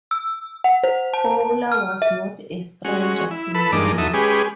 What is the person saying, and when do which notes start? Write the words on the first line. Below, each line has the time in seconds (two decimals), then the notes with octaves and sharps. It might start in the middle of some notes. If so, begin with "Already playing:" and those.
Fowler was not a stranger to money.
0.11 E6
0.64 F#5
0.83 C5
1.13 A5
1.72 F6
2.02 E5
2.85 G#3 C#4 F#4
3.31 E4
3.55 A4 B4 B5 E6
3.72 G2 G#3 A#3 D4 D#4 D6
3.98 E2 F#3 D#4 A4 E5 D#6
4.14 G#3 C#4 G4 G#4 B4 D6